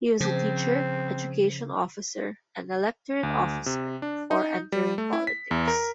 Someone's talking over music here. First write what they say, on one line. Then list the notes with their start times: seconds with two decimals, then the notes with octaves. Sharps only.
He was a teacher, education officer and electorate officer before entering politics.
0.21 C#3 F3 C4
3.23 D2
3.66 C3
4.02 D4
4.31 D#4
4.72 G3
4.98 A3
5.13 E4
5.27 B6
5.51 E2
5.68 A#4